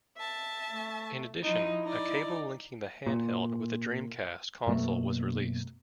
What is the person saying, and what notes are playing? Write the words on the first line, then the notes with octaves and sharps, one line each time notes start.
In addition, a cable linking the handheld with a Dreamcast console was released.
E5 A5
A3
F3 D#4 E4
D#4 D5
A#2
F#2 B2 A3 A#3